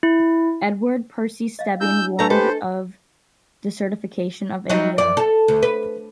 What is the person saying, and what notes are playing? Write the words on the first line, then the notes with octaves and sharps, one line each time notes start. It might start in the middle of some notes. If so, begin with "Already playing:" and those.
Edward Percy Stebbing warned of desertification of India.
E4
D#5 F5
D4 E4 E6 G6
A3 D4 A4 B4 A#5
G4 A4 B4 C5 D#5
F#3 G3 D#4
F#2 D5
A4
D2
B4